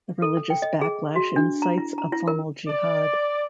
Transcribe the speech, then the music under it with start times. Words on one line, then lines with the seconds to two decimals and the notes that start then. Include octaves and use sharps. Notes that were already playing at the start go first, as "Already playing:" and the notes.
A religious backlash incites a formal jihad.
0.22 A4
0.50 G5
0.62 D#5
0.81 G#4
1.16 F#4
1.36 D4
1.62 A#5
1.78 E4
1.98 A#5
2.12 E4
2.28 A#4
2.67 D5